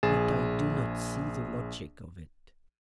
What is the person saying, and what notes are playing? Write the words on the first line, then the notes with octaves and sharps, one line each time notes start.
But I do not see the logic of it.
A#1 G#4 A6 E7